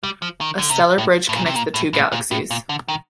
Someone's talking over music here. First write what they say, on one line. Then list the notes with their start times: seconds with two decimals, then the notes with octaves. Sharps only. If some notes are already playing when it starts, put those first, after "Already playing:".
A stellar bridge connects the two galaxies.
0.03 G3
0.22 F3
0.41 D#3
0.59 D3
0.70 C3
0.98 A2
1.29 A2
1.36 A#2
1.46 C3
1.56 A#2
1.74 A2
1.93 A2
2.12 A#2
2.31 A2
2.51 A#2
2.69 D3
2.88 D#3